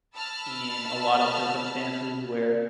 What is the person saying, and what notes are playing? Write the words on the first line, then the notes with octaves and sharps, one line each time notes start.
in a lot of circumstances where,
A5 B5 E6 F6